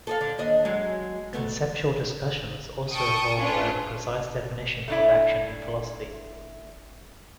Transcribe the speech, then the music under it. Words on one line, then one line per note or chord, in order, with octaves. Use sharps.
Conceptual discussions also revolve around a precise definition of action in philosophy.
A4 D#5 F5
D3
D#2 D4 D#5
F#3 G#3
D2 A3 B3
G5 A5 C#6 D#6
C#4 D4 F4 B4
A3 D4 E4